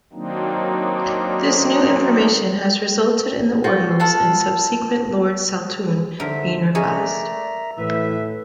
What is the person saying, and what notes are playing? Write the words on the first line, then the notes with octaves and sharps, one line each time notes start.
This new information has resulted in the ordinals in subsequent Lords Saltoun being revised.
D#3 F#3 A#3 C4 D4 D#4
F4 F#4 G5
F4 A4 F#5
D#2 D3 A#4 C5 E5
G#3 A3 C#4 G#4 A#4 D5 E5 A#5
A2 E3 B4 E5